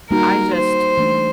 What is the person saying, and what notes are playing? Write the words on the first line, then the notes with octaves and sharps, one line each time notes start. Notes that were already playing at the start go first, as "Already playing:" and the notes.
I just
G3 A#3 D#4 F#4 A#4
C5
E3 A3 D4